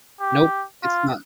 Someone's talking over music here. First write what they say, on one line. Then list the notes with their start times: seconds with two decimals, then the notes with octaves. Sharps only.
Nope, it's not.
0.20 G4
0.83 F4